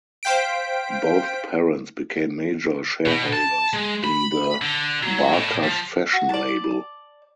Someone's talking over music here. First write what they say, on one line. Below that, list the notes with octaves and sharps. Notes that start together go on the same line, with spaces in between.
Both parents became major shareholders in the Barkers fashion label.
C5 F5 G5 B6 D7
B2
A5
G#3
B5
D3
F#3
A2
F3
F#4
D5 A5